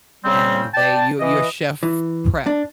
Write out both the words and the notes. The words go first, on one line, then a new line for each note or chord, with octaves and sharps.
and they you're you're chef prep.
C#3 G3 C4
D5 G5 A5
E3 D#5
E3
D4